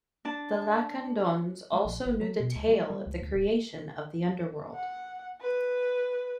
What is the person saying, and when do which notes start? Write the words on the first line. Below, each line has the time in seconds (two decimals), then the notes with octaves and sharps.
The Lacandons also knew the tale of the creation of the Underworld.
0.25 D4 A5
1.73 G#3
1.85 A#1
2.06 G#1
2.21 F#3
2.40 B2
2.56 C#2
2.68 G3
2.90 G3
3.07 C#2
3.22 D2
3.35 D1
4.75 F#5
5.41 B4